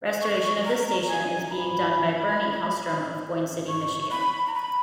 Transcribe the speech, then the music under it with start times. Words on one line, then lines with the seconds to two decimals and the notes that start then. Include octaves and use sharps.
Restoration of the station is being done by Bernie Hellstrom of Boyne City, Michigan.
0.22 C#6
0.65 A#5
1.08 G#5
1.45 A#5
1.51 B5
3.68 C#6
4.11 B5
4.47 A#5
4.54 B5